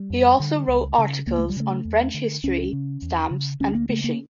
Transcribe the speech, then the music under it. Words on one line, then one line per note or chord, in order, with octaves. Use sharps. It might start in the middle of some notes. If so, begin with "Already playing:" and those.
He also wrote articles on French history, stamps, and fishing.
Already playing: G3
F2
D3
C#2
C#3
C#2 A#3
A3
G3
C#3 A3
E2
D3
C#2 C#4
C#3
E2
C#3
D2 C#4
A#3
C#3 A3
A#3